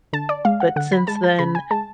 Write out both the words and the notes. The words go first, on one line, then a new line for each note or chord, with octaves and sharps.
but since then,
D3 A5
D5
G#3 F5
F#5
D3 F#5
B5
G#3 A5
A5
C#3 B5
G#5
G#3 A5